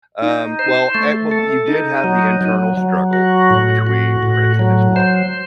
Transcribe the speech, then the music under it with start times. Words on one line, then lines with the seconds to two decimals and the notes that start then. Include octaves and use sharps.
Um, well at well, you did have the internal struggle between Prince and his father,
0.22 D#4
0.59 C5
0.95 A3
1.31 A4
1.68 D#4
2.04 F#3
2.41 F#3
2.77 F#3
3.13 F#4
3.50 A2
3.87 F#4
4.22 A2
4.59 F#3
4.96 C5